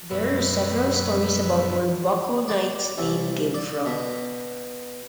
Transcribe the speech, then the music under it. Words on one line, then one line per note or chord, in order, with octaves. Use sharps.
There are several stories about where Buck-O-Nine's name came from.
F#2 B2 B4 E5
D5
C2
D5
B2